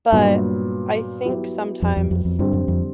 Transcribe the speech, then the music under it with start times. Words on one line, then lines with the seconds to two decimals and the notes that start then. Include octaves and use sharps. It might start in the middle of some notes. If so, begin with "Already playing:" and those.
but, I think sometimes
0.12 G2 A#2 F#3 B3
1.25 F#3 B3 E4 G4
1.82 F2
1.97 F2
2.11 F2
2.25 F2
2.39 G2 D3 G3 C4
2.53 F#2
2.68 F2